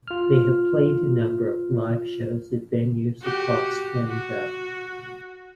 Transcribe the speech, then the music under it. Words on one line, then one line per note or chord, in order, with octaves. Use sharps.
They have played a number of live shows at venues across Canada.
F4 F6
F#4 G4
F#4